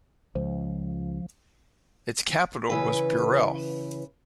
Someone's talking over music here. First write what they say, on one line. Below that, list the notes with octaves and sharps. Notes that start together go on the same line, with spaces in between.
Its capital was Burrel.
C#2 F3
C#3 E3 B4